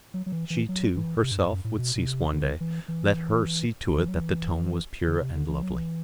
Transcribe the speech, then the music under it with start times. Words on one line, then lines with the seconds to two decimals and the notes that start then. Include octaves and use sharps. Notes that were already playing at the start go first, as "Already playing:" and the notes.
She, too, herself would cease one day, let her see to it that the tone was pure and lovely.
0.14 F#3
0.26 F#3
0.32 E3
0.50 E3
0.69 F#3
0.96 E3
1.23 C3
1.31 G2
1.37 F#2
1.51 F#2
1.64 A2
1.78 B2
1.96 B2
2.06 C3
2.33 D3
2.61 E3
2.88 E3
3.98 E3
4.08 F#3
4.19 E3
5.08 D3
5.21 C3
5.35 D3
5.49 E3
5.62 F#3
5.76 E3